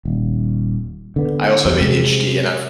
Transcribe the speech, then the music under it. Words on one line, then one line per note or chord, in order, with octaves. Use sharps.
I also have ADHD, and I've,
D#1
D3 B3
E2 F#3
C3 G#3 C4